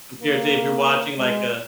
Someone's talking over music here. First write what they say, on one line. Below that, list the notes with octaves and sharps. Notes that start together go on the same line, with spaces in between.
compared to if you're watching, like, a
A#3
G#3